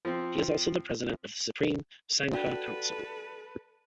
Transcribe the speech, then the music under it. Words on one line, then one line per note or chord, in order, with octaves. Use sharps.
He is also the President of the Supreme Sangha Council.
F3 C4
D4 F#4 G4 A4 B4